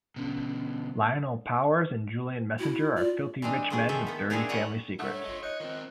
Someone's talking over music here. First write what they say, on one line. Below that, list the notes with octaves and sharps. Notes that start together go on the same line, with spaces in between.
Lionel Powers and Julian Messenger are filthy rich men with dirty family secrets.
B2 D3 C#4
E4 F#4
F4 D5
E3 C4 D4 D#4
G#3 A3 B3 G4 G#4
D#3 F3 A4 C5 E5
A#3 B3
C4 D4 E4 G4 G#4 A#4
G3 F#4 D#5 F#5 G5 A#5
G3 A3 D4 F#5
C#5
F4 D#5
D#4 C#5 D#5 F#6
D#3 F3 C4